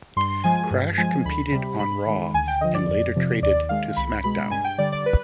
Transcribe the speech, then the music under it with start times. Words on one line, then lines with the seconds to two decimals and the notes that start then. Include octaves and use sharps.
Crash competed on Raw and later traded to SmackDown!
0.16 G2 C6
0.44 F3 G#3 G#5
0.71 G2
0.98 F3 G#3 G#5
1.25 D2 B5
1.52 C3 G3
1.80 G#2 B5
2.06 D#3 G#3
2.34 D2 G#5
2.48 G5
2.61 D3 F3 D#5
2.74 D5
2.88 F2
3.16 C3 F3
3.42 D#2 D5
3.69 D#3 G#3 F5
3.97 C2 B5
4.24 B2 G#3 B5
4.51 G2 G#5
4.64 G5
4.78 D3 G3 D5
4.92 D5
5.06 B4